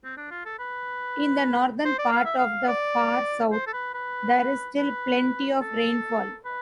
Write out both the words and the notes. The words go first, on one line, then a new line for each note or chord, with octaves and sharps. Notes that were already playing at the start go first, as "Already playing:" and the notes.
In the northern part of the far south, there is still plenty of rainfall.
C4
D4
F4
A4
B4
C5
D5
F5
E5
F5
D5
C5
A4
B4
B4
B4
A4
B4